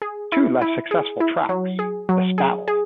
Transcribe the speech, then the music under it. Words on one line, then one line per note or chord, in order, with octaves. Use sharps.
Two less successful tracks, The Spell!
G#4
E4
E4
G#4
E4
F#3
G#4
F#3
G#4
G#4